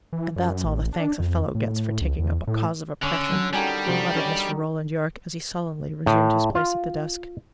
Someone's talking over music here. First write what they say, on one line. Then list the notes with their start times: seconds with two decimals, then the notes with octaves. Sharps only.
"And that's all the thanks a fellow gets for taking up a cause of oppression!" muttered Mr. Roland Yorke, as he sullenly resumed his place at the desk.
0.13 E3
0.36 F#2
0.65 A1
0.93 D4
1.20 F2
1.55 A2
2.01 C#2
2.19 E2
2.47 A2
3.03 D3 C#4
3.32 F#3
3.53 D3 D#3 G3 F#4 G#5
3.86 C3 F3 F#3
4.16 C#4 G4 D#5
6.06 A2
6.55 F4